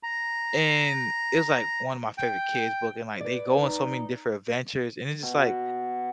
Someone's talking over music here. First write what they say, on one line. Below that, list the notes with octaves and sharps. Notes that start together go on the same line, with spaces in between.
And it was, like, one of my favorite kids' book, and, like, they go on so many different adventures, and it's just like,
A#5
G5
B4 D5
D#4
B2